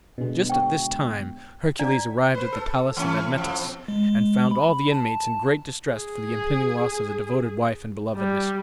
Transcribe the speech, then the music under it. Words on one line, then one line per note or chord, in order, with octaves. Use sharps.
Just at this time Hercules arrived at the palace of Admetus, and found all the inmates in great distress for the impending loss of the devoted wife and beloved mistress.
B2 D3 G#3
G5 C#6
D4 D5 A#5 G#6 B6
B4 C5
A4
E3 A3 C#4
A2 F3
B2
G#3
B5
A5
G#4
G3